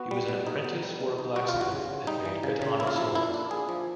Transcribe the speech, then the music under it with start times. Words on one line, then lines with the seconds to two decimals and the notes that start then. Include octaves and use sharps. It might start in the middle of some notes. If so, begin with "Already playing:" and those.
He was an apprentice for a blacksmith and made katana swords.
Already playing: B3 F#4
0.11 G3
0.28 B2
0.47 D#4
0.64 B3
0.83 G3
1.01 B2
1.19 D#4
1.36 G3 F#4
1.48 F4
1.54 E3
1.61 F#4
1.72 C#3
1.90 C#3
2.07 G3 D#4
2.25 E3
2.43 C#3
2.62 C#3
2.80 A#3 E4
2.87 F4
2.96 F3 E4
3.15 A#2 E4
3.34 D4
3.51 A#3 G#4
3.69 F3